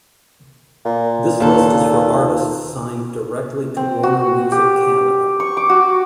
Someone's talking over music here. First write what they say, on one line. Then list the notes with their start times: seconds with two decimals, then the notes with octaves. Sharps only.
This list is for artists signed directly to Warner Music Canada.
0.85 A#2
1.40 D#2 A4
3.77 C4
4.03 F#4
4.52 G4
5.40 C#6
5.57 D6
5.70 F#4